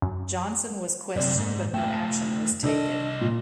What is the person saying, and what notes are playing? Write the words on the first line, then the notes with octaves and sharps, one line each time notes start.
Jonson was questioned, but no action was taken.
F#2
F#2 C3 D5
G#2
A3 F4 G5
C2 D4 A4 D#5
A#2